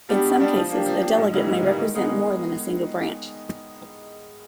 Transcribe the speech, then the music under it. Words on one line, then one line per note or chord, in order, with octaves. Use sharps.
In some cases, a delegate may represent more than a single branch.
G3 B3 D4 G4
B2
G3 B3 D4 G4
F3
A#3 D4 G4
F3
A#3 D4 G4
G#2
E3 G3 A#3 D#4
G#2
E3 G3 A#3 D#4
D#3
G#3 B3 D#4 G#4
D#3